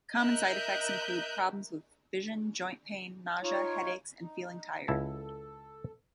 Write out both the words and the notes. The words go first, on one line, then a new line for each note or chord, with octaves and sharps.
Common side effects include problems with vision, joint pain, nausea, headaches, and feeling tired.
A#4 D#5 E5 F#6 G6
D#4 F4 C#5
D#4
C#2 E4 A4 A5